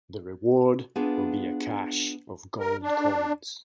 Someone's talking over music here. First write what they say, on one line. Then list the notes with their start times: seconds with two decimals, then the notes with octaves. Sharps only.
The reward will be a cache of gold coins.
0.96 B3 D4 F4 G#4
2.60 A#4
2.82 D4